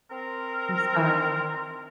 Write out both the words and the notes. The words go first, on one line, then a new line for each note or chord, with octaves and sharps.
I'm sorry.
C4 A#4